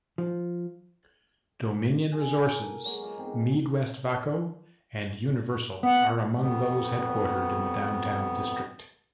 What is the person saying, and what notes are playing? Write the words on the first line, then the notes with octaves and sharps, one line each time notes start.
Dominion Resources, MeadWestvaco, and Universal are among those headquartered in the downtown district.
F3
G#4
A4
A#4
F#3 G#3 A#3
B2 A#3 F4
G#2 G#3 C4
B3 F#5
F2 B2 B3